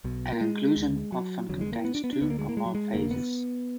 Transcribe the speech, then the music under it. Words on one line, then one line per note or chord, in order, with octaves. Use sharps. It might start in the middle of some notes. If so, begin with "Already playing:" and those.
An inclusion often contains two or more phases.
B1 B2
A#3
G#3
D2 D3
F#3
F1 F2 D3 F#3
G#3
A#3
B3
D4
B3
D4
D2 D3 B3
A#3
G#3
A#3
G#3
F#3
G#3
F1 F2 D3 A#3
B3